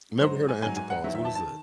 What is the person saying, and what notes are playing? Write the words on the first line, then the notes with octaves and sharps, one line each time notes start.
Never heard of andropause, what is that?
G#2 F#3 C5
C5
G#5
G#2 F#3 G#5
G#5
F#5
E2 D#3 F#3 E5
E5
A5
A5
D#3